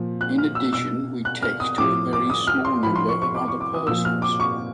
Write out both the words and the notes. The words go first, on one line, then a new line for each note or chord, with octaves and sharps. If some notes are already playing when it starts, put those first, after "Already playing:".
In addition we text to a very small number of other persons.
Already playing: A#2 F3
F#6
F6
E6
B2 E6
F#6
F6
D#6
A2 F3 D6
D6
D#6
F6
C6
A2 F3 B5
C6
C#6
C#6
D6
C#6
D6
D#6
A#2 F3 E6
F6
D6
C#6